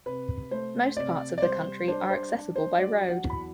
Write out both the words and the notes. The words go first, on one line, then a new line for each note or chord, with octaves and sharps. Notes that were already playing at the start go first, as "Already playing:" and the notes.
Most parts of the country are accessible by road.
C3 B4
A3 C5
C3 D5
D5
G3 C5
D4 C5
C5
D4
C5
F#3 D5
F#5
E2
B5